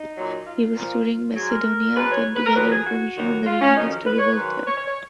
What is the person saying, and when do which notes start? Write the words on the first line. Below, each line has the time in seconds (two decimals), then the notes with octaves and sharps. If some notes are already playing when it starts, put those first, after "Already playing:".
He was touring Macedonia then to gather information on the readiness to revolt there.
Already playing: D#4
0.15 A#2 F#3
0.45 F4
0.75 A#2 F3
1.35 G#2 F#3 G#4
1.50 A#4
1.95 G#2 F#3 B4
2.11 C#5
2.36 B4
2.46 A#4
2.55 F2 D#3 F#3 B4
2.71 G#4
2.85 F#4
3.16 D#2 D#3 F#3
3.46 F4
3.61 C#4
3.76 F2 D#3 F#3 D#4
3.91 A#4
4.06 B4
4.18 C#5
4.31 B4
4.36 G#2 D#3 F#3
4.66 C#5
4.76 C#5
4.87 C#5